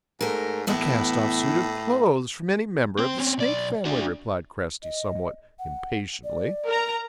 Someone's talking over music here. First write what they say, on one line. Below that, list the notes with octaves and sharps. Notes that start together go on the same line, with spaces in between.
"A cast-off suit of clothes from any member of the Snake family," replied Cresty somewhat impatiently.
G#2 A3 A#4
E2 A2 B3 E4
C4 C5
C4 C#4
B1 D5
D4 F#4
D#5
F#5
D5
A#4 A#5